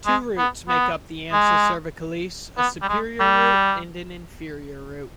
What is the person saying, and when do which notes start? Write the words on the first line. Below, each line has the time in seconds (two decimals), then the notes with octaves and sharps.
Two roots make up the ansa cervicalis, a superior root, and an inferior root.
0.06 G#3
0.38 B3
0.69 B3
1.32 G#3
2.58 B3
2.82 G3
2.88 G#3
3.20 G3